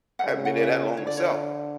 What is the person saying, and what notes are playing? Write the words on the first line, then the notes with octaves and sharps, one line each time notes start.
I haven't been here that long myself,"
F#5
C#3 E5
F#5
D5
E5
D3 C#5
D5
C#5
E4
D4